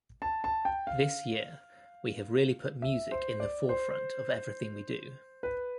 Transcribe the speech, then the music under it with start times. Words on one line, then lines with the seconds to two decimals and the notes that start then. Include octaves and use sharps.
This year we have really put music in the forefront of everything we do.
0.22 A5
0.44 A5
0.65 G5
0.87 F5
2.82 E5
3.11 C5
3.40 D5
3.69 C5
5.43 B4